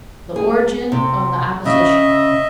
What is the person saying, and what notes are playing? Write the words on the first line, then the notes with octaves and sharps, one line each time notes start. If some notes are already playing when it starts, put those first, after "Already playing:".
The Origin of the Opposition.
G#4
C3
C#3 D#5 E5